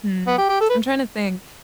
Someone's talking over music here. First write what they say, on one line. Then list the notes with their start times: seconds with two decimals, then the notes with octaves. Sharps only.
hmm. I'm trying to think.
0.27 B3
0.38 G4
0.49 G4
0.61 A4
0.69 B4